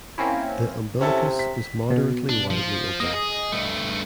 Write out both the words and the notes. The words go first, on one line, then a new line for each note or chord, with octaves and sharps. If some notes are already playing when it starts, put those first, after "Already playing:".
The umbilicus is moderately widely open.
A#3 C4 C#4 E4
C3 C#4 E4 A4
B6
B2
D4
F3
A#3 C4 D#5
G#4
G2 A3